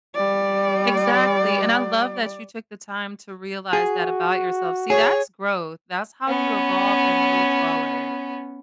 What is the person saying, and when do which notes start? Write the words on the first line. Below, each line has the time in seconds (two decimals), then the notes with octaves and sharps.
Exactly. And I love that you took the time to realize that about yourself. See, that's growth. That's how you evolve and move forward,
0.15 G3 D5
3.73 F#4 G#4
4.90 G#4 C#5
6.27 B3 C#4